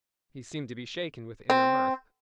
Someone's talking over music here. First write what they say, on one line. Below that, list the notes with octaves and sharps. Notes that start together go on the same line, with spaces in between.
He seemed to be shaken with inner mirth.
C4